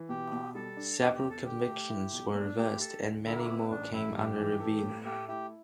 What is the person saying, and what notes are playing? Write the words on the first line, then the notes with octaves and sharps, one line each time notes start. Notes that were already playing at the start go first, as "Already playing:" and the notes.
Several convictions were reversed, and many more came under review.
Already playing: E3
B2 G4
B2
G3 A4
D4
E2 G4
G4
E2
A4
D3 G4
A3
E4
B1
A2 D4
A3 G4
G4 A4
D2
D3 E4
B3
A1 D4
A1 E4
G2 G4
E3
A4
A2
A3 G4
E4 G4